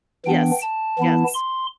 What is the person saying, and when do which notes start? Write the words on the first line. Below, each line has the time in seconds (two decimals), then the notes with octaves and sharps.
Yes, yes.
0.26 E3 B3 D4 G5
0.62 A5
0.99 E3 B3 E4
1.34 C6